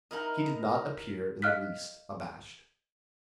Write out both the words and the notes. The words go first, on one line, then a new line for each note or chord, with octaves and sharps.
He did not appear in the least abashed.
D#4 E4 A#4 D#5 F5 A#5
D#5 F5 F6 F#6 B6